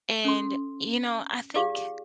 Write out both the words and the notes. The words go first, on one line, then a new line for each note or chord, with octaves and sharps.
and, you know, I think
C#4 A4 C6
F4 G4 G#4 D5 F5 D6